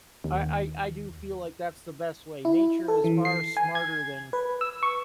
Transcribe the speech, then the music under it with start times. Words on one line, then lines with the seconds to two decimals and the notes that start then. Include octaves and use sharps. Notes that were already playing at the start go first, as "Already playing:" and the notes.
I I I do feel like that's the best way. Nature is far smarter than,
0.24 D#2
2.45 E4
2.88 A4
3.04 E3
3.25 C7
3.57 G#5
3.75 G#6
4.33 B4
4.61 E6
4.83 C#6